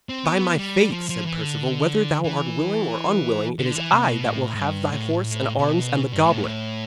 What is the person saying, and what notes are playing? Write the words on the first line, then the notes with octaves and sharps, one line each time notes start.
'By my faith,' said Perceval, 'whether thou art willing or unwilling, it is I that will have thy horse and arms and the goblet.'
C4
B3
G3
F3
F3
E3
D3
E3
D3
E3
C3
B2
A2
A2
G2
A2
B2
G2
A2